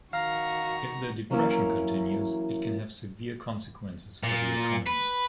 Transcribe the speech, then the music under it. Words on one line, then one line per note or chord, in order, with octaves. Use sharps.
If the depression continues, it can have severe consequences for the economy.
D#3 F#4 F5 A#5
E3 F#3 A#3 C#4 E4 A#4
A#2
B4